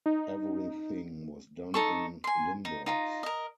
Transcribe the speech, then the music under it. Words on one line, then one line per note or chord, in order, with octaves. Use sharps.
Everything was done in Limburgs.
D#4
D#4 A4 C#6
G#5 C6
D#4
D#4 F4 A#5
A#4 D#5